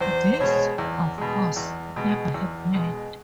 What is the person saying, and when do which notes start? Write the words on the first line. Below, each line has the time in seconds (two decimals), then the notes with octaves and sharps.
This, of course, never happened.
0.01 E2 C5
0.32 C5
0.40 B2 G#3 C#5
0.78 E2
1.18 B2 G#3
1.56 E2
1.96 B2 G#3
2.34 E2
2.74 B2 G#3